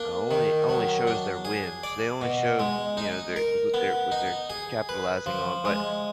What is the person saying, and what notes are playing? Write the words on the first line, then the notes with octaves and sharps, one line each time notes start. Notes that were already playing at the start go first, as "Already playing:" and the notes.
only only shows their wins. They only show, you know, their what they're what they're capitalizing on, but
Already playing: A#3 D4
D#3
F#3
D4
G#4
D5
B2
G#3
D#4
A#4
B3
D#4
G#4
B4
F3
G#3